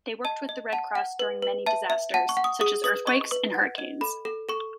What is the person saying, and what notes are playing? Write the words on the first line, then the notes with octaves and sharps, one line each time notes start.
They worked with the Red Cross during many disasters, such as earthquakes and hurricanes.
D#5 A5
D#5
F#5 A5
F#5
B4
B4
E5 A5
E5
F#5 A5
C#6
F#5
D#6
G#4 D#6
B4 D#6
D#5 C#6
B4
F#5
D#5
A4 B5
A4
A4 C#6